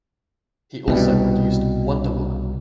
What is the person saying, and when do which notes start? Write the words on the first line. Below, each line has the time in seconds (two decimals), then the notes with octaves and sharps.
He also produced "Wonder Woman".
0.88 C2 B2 G3